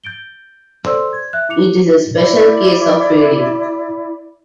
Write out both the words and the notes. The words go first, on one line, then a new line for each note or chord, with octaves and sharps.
It is a special case of fading.
G6 A6 D7 G7
A4 C5 D5 C6 E6
G#6
E5 F#6
E4 D6 C#7 F7
E4 D5